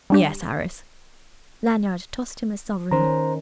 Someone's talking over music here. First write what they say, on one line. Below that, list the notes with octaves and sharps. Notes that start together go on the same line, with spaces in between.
"Yes, Harris." Lanyard tossed him a sovereign.
G3 D4 G4
D#3 C#4 C5 A#5